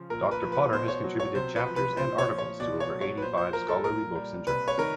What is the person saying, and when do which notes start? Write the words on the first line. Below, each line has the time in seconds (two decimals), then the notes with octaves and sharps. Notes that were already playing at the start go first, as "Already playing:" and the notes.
Doctor Potter has contributed chapters and articles to over eighty-five scholarly books and journals.
Already playing: C#3 F3
0.10 A#2 A#4
0.31 B4
0.42 F3
0.52 B4
0.72 B2 C5
0.88 C#5
1.04 F#3
1.20 C#5
1.35 C3 C5
1.56 B4
1.66 F3
1.76 B4
1.97 A#2 C5
2.18 C#5
2.28 F3
2.38 C#5
2.60 B2 D5
2.80 C#5
2.91 F#3
3.01 C#5
3.17 B4
3.22 A#2 C5
3.37 C5
3.53 F3 A#4
3.68 A4
3.84 A#2 A#4
4.15 G3
4.47 C3 B4
4.68 C#5
4.78 D#3 A#4